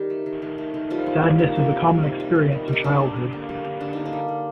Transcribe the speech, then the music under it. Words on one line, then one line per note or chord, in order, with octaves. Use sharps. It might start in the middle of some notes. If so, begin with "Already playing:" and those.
Sadness is a common experience in childhood.
Already playing: D#3 G3 G4
A3
D#3
D#3
A3
D#3
F3 G3 F4
D#3
D#3
A#3
C3
D#3
C3
G3
G3
D#3
G3
G3
D#4
G3 D4
D3
D3
A#3
G3
D3
D3 D4
A#3 D#4
D4
G3
G3